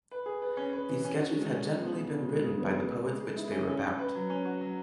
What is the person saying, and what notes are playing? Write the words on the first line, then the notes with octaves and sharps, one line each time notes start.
These sketches had generally been written by the poets which they were about.
B4
G#4
B4
C#4
B4
E3
C#4
F#4
G#3
C#4
C#4
B2
C#3
C#3
G#3
C#3
B3
C#3
C#4
G#3
G#3
E4
C#4
C#4
C#4
B4
F#3
C#4
F#4
F#3